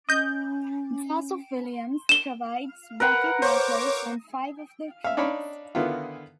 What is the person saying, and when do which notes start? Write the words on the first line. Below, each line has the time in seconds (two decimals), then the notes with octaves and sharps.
Joseph Williams provides backing vocals on five of the tracks.
0.09 C#4 D#5 G6
2.09 E7 G7
3.00 A#4 B4 F#5
3.42 C5 C#5 D6
5.04 E5 F5
5.17 D4 D#4 C#5 D5 F5 B5
5.75 D3 D#3 B3 E4 F4